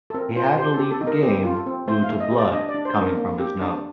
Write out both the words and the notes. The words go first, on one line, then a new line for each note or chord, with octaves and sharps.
He had to leave the game due to blood coming from his nose.
A4
C4 A#4
F4 C5
G4 C5
A4
G4
A4
D#4
A#4
C4 G4
F4
A4
C4
A3 C5
F5
A3
D#5
G4
D5
D4 D#5
D5
D4
C5
D4
A#4
A#3
G4
D4